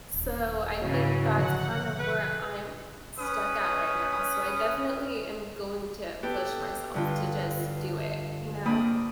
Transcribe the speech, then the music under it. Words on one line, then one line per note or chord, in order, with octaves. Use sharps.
So, I think that's kinda where I'm stuck at right now, so I definitely am going to push myself to just do it, you know?
D#1
G#2 C#3 E3 F#3
B2 D3 F3 F#5
B4
C#4 B4 D#6
B3 G4 A4
G2 D3 F4
F4
A#3 C4 D4 A#4 B5 D#6